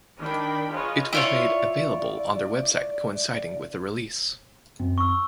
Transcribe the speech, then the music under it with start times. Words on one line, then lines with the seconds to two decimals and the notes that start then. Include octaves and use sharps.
It was made available on their website coinciding with the release.
0.19 D#3 D4 G5 B5
0.73 F4 G#4 B4 C#5 D#5
1.13 E4 F4 C#5 D5
4.80 F#2 C4
4.98 C#6 E6